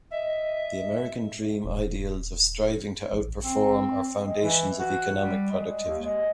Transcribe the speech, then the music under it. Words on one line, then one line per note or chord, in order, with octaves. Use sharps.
The American Dream ideals of striving to outperform are foundations of economic productivity.
D#5 E5
D#1
A1
C4
G#3
E3
F#4
G3
G#3
D#2
G#3